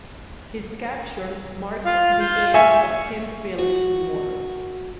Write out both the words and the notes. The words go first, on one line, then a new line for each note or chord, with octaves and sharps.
His capture marked the end of King Philip's War.
F4 F5
F4 F5 G6
E5 G#5 C#6
F#4